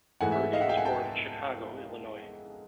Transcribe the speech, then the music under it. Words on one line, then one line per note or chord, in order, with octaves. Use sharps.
Purdy was born in Chicago, Illinois.
G#2 E3 A3 F#5 G#5
E5
D#5 F5
E5 F#5
F5 G5
F#5 G#5
G5 A5